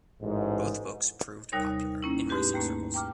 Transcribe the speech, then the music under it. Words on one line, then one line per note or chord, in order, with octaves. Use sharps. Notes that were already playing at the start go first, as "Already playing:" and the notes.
Both books proved popular in racing circles.
A1 G#2
D#2 C3 G3 D#4 A#4 C#5
A#3 C#4 E4
G#2 A3 D#4 G4 B4 F#6
D#2 A3 A#3 C#4
G5 A#5 D6 F6